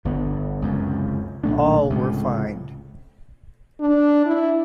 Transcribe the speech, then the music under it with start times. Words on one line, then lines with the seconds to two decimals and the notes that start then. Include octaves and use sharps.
All were fined.
0.05 G1 D3 B3
0.62 C#2 F#2 C3
1.44 B1 A#2 A3 D4
1.90 C#2 A2 C3
3.81 D4
4.26 E4